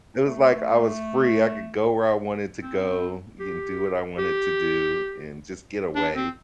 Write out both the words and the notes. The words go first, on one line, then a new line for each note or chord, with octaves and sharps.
It was like I was free. I could go where I wanted to go, and do what I wanted to do, and just get away
A3
C4
G4
G4
D4
C4